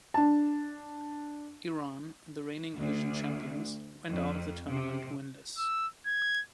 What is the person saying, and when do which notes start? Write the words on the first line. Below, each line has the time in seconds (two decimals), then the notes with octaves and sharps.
Iran, the reigning Asian champions, went out of the tournament winless.
0.14 D4 A5
2.76 D2
4.09 F2
4.67 C3
5.58 E6
6.06 G#6